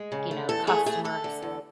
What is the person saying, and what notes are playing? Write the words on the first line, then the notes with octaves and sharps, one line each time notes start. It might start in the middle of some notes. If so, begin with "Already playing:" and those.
you know, customer s
Already playing: G#3
C#3
A3
E2 A4
A3 G#4
A3 G#4
A3 A4
D3
E2